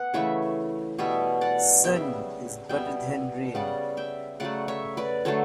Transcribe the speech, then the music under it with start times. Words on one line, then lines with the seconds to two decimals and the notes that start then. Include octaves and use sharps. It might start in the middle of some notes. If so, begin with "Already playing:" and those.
Sun is better than rain.
Already playing: B3 B4 F#5
0.14 C#3 E3 A3 C#5 E5
0.98 B2 G3 B3 C#5 E5
1.41 D5 F#5
1.84 C#3 G3 B3 E5 G5
2.69 B2 G3 B3 E5 G5
3.55 C#3 G3 B3 D5 F#5
3.97 E5 G5
4.40 C#3 F#3 A3 D5 F#5
4.68 C#5 E5
4.97 B4 D5
5.25 D3 F#3 A3 A4 C#5